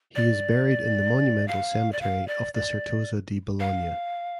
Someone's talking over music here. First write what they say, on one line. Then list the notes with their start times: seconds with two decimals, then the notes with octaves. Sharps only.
He is buried in the monumental cemetery of the Certosa di Bologna.
0.15 D5
1.48 F5
1.92 D5
2.01 F5
2.27 D5
2.54 D5
3.60 F5